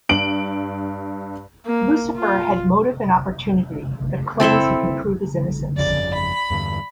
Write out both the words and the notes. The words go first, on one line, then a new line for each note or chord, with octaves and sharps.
Lucifer had motive and opportunity, but claims he can prove his innocence.
G2 D7 F#7
A#3
F4
C4 E4 A4 E5
G1 F2 C#3 D5
B5
E2 G2 D3